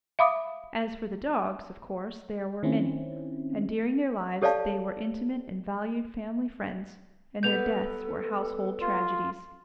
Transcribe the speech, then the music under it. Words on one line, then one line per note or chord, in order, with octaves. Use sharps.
As for the dogs, of course there were many, and during their lives they were intimate and valued family friends, and their deaths were household tragedies.
E5 F5 B5 D6 D#6
D#3 C4 C#4 E4
G4 A4 C#5 D5 F5 A5
G3 B3 A4 B4 G6 F7
F4